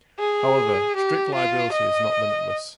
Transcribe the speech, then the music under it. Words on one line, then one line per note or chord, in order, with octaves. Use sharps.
However, strict liability is not limitless.
G#4
G4
F4
D#5